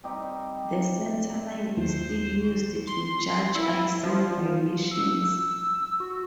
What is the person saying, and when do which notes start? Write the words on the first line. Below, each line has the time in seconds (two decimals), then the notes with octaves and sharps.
The centre line is still used to judge icing violations.
0.04 G3 C4 D#4 G4
1.77 D#2 C5
2.87 C6
3.55 E4
4.03 F3
4.91 E6
6.00 F#4